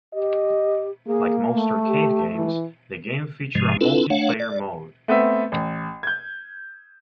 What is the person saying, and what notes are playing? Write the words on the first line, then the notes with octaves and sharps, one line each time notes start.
Like most arcade games, the game featured a multi-player mode.
G4 D#5
A#3 G#4
A3
G4
E3
G#2 C3 F3 G#3
C4 D4 E4 F4 A4 B4
A3 D4 C#5 F5 F#5
D5
A3 B3 C4 E5
A1
G6 G#6